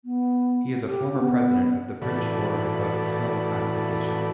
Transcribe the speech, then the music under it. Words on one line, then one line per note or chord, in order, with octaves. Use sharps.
He is a former president of the British Board of Film Classification.
B3
G4
B3
A2 E3 F#4 A4 D5 B5